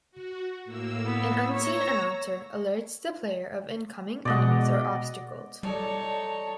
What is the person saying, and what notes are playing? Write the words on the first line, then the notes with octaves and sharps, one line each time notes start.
An unseen announcer alerts the player of incoming enemies or obstacles.
F#4
A2 A#3 E6
B3
C#5 A#5 E6 A#6
B2 G#3 D5 D#5 F#5
G3 D#4 A4 C#5 D5 A5